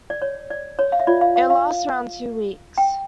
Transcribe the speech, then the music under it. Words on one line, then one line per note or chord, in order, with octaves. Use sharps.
It lasts around two weeks.
D5
C#5
D5
C#5
F5
E5
F4 C#5 D5
F5
F5
F5
G5